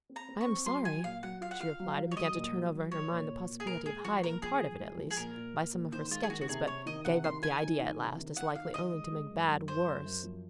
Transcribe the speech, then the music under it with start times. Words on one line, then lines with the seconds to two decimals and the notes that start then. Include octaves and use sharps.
I am sorry!' she replied, and began to turn over in her mind the possibility of hiding part of it, at least, by some of her sketches, but gave up the idea at last, as likely only to make bad worse.
0.09 C4
0.16 A#5
0.29 C4
0.41 C#6
0.48 C4
0.66 F#3 C6
0.85 F#3 G#5
1.04 A#2 F5
1.23 F#3 F#5
1.41 F4 F5
1.51 F#5
1.60 F4 F5
1.80 F#3
1.98 F#3
2.11 C#5
2.16 F#3 D#5
2.36 A#2
2.54 F#3
2.72 F#3
2.92 F3 C#5
3.10 A#2
3.29 A#2
3.49 A#2
3.60 G#4
3.66 A#2 A#4
3.85 G#3 G#4
4.05 F3 F#4
4.23 A#2 A#4
4.42 F3 G#4
4.60 F3
4.80 G#3
4.98 F3
5.10 G#4
5.17 A#2 A#4
5.36 A#2
5.54 A#2
5.73 A#2
5.92 D#3 C5
6.11 G#3 F4
6.23 G#4
6.30 D#3 F#4
6.41 F#4
6.49 C3 G#4
6.67 C3 C#5
6.86 D#3 D#5
7.05 C3 F#5
7.24 D#3 C6
7.42 D#4 G#5
7.62 D#4
7.80 D#3
7.99 C3
8.18 D#3
8.37 D#3 F#5
8.55 D#4 F5
8.74 D#3 D#5
8.93 G#3
9.11 G#3
9.30 F#2
9.49 F#2
9.68 F#2 C5
9.86 F#2
10.05 F#2
10.24 F3